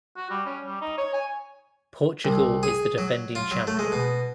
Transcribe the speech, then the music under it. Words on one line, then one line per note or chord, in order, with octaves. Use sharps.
Portugal is the defending champion.
F#4
G3
C#4
G3
D#4
C#5
G#5
C2
G#4
F#3
F4
F#3
A3
G#3
B2